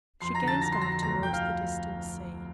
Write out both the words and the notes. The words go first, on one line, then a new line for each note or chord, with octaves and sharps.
She gazed out towards the distant sea.
F2 C6 C7
A#5 A#6
D3
A5 A6
D3 A#5 A#6
C6 C7
F2 A#5 A#6
C6 C7
D2 A#5 A#6
D2 G5 G6
F5 F6